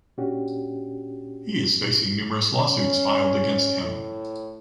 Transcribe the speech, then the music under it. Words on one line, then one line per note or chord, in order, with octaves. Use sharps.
He is facing numerous lawsuits filed against him.
A#2 C#4 D4 F#4 G4
C#4
A2